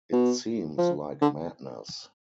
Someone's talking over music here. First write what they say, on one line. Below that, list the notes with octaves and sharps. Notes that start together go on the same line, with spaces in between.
It seems like madness!
B2
F3
D3